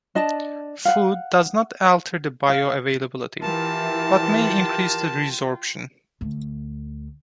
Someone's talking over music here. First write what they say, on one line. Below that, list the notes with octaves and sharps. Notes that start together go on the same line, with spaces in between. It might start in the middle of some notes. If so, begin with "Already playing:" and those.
Food does not alter the bioavailability, but may increase the resorption.
D4 D#5 A5
F5 F#5
F5
E3 F4 G4 A#4 G5 A5
D2 A3